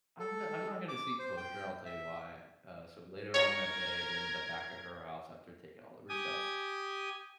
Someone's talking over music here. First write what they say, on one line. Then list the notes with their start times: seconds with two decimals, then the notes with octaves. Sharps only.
I'm not I'm not gonna see closure. I'll tell you why. Uh, so later on that day, we ended up back at her house after taking all of her stuff
0.19 A4
0.88 D6
1.19 C5
1.37 G5
1.85 E5
3.34 A#4 C#5 G#6
6.09 G4 G#5 D#6